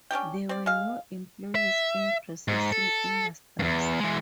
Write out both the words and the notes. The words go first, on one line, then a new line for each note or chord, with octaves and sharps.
There were no employees in processing industries.
C#4 D4 G4 G5
C4 D5
G#3 F5
E5
G#2
A4
E2 G2
E3 G#3